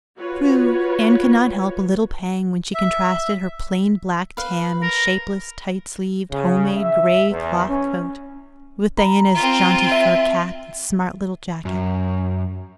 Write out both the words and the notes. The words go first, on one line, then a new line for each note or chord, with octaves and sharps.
True, Anne could not help a little pang when she contrasted her plain black tam and shapeless, tight-sleeved, homemade gray-cloth coat with Diana's jaunty fur cap and smart little jacket.
F4 F#4 B4 C#5
E5
B4 F5
A#4
C#3
E5
E2
C#4
A#5 B5
C4 F4
E5
F#2